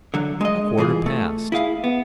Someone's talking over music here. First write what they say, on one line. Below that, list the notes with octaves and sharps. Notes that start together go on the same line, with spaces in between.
A quarter past.
D3 F#3
G#3 D#5
C2 E3 F4 G#4
A3
E4 G#4 F5
B3